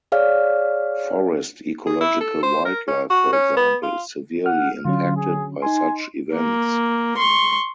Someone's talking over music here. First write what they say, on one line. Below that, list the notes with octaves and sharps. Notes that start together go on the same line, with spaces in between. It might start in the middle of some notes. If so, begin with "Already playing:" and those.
Forest ecological wildlife, for example, is severely impacted by such events.
G#4 C#5 D5 F5 F6
G#4
E4
A4
C5
A#4
C#4
F#4
C#4
B3
F4
F#5 F6
D3 F#3 C#4 F4
G#4
D#4 G#5 C6
A#3
C6 C#6